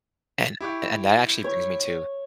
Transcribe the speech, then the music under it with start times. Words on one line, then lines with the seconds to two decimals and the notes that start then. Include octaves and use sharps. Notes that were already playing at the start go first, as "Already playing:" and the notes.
and and that actually brings me to
0.60 E4 G4 C#6
1.44 C#5